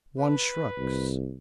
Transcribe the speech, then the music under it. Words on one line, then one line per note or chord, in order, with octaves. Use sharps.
One shrugs.
B4
C2